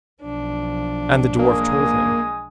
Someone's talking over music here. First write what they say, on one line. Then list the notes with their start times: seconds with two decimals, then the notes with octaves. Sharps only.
And the dwarf told him.
0.22 B1 F3 D4
1.39 G#3 A#3 G#5 D#6